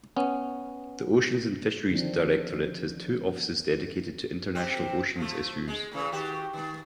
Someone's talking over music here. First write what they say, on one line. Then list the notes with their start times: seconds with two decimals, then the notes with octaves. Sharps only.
The Oceans and Fisheries Directorate has two offices dedicated to international oceans issues.
0.16 B3 C#4
1.89 D3 D#3 F3 C4 D4
4.55 C3 C4
5.16 F3 A3
5.68 G#3
5.92 A2 C#3 E3
6.12 D#3 F#4 G4
6.53 D#3